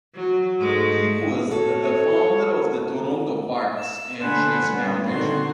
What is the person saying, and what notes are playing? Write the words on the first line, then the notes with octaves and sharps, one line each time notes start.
He was the founder of the Toronto Parks and Trees Foundation.
F#3
G#2 G#3 A3
F#4 A4 C#5
E6
D3 D4 C5 F#5 G#5 B5
G3 B3 C#4
A#2 D3 D#3 C4 F#4 C6